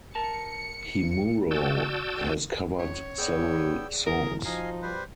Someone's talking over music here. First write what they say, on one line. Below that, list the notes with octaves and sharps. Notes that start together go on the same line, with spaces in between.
Himuro has covered several songs.
A#4 A5 C#7
F#4 D5 A5 E6 G6
C#4 C#5
B3 G#4 D5 G5 E6
E4 G#4 A#4
F3 D#4 F#4 D#5 F5 G#5
G3 B4 C5